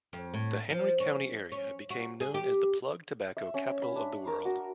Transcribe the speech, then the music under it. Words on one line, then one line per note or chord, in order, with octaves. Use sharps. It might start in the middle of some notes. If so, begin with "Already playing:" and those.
The Henry County area became known as the plug tobacco capital of the world.
F2
A2
F3
C#4
C#4
F#4
G#4
G4
E5
C#4
B5
D4
A#4
F#4